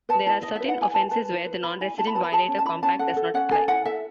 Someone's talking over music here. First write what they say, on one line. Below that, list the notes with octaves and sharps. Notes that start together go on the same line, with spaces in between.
There are certain offenses where the Non-Resident Violator Compact does not apply.
B4 A5
E4 A5
E4 D#5
B4 E5
F#5
E4 G#5
B4 A5
B4 A5
E4
B4
E4 B5
E4 G#5
E4 A5
B5
B4 A5
B5
G#4 A5
C#4
A5
E4 B5
C#4 A5
A4 F#5
A4
C#4 F#5
A4 G#5
E4 F#5
A4 E5